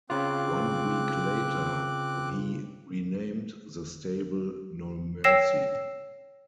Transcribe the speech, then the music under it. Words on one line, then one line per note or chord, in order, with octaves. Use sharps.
One week later, he renamed the stable No Mercy.
C#3 C4 F4 D6 F#6
C#5 G5 E6 A#6 C7 E7